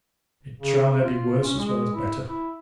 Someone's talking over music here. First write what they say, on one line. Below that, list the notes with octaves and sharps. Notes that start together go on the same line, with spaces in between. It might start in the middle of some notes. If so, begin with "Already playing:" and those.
"It trow there be worse as well as better."
C#3
F4
C#4
G#3
E4
E4